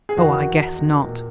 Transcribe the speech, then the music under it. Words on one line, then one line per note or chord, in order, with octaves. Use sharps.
Oh, I guess not.
G#4
E2 D#3 F#4
A#2